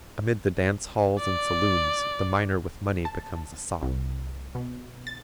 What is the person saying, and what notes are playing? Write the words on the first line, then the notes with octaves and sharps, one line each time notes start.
Amid the dance-halls and saloons the miner with money becomes a sot.
D5
A5
C2
B2
A6